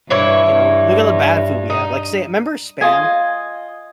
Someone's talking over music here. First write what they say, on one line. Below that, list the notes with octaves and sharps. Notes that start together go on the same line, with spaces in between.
You know? "Look at the bad food we have." Like, say, 'member Spam?
G2 E3 E4 C#5
D#4
F4 D#5 G#5